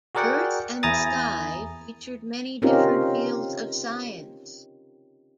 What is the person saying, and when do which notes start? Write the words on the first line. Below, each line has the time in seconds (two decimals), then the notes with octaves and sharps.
"Earth and Sky" featured many different fields of science.
0.15 F#4 G#4 A#4 D5 F#5 G5
0.83 E2 E4 G#5 A#5 D#6 A6
2.62 C4 C#4 D#4 F4 G4 A#4